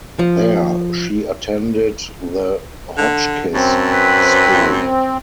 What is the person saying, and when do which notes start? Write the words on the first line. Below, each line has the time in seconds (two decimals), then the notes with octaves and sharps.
There, she attended the Hotchkiss School.
0.19 F3
2.98 D3
3.54 F#2 C4 A5
3.92 B4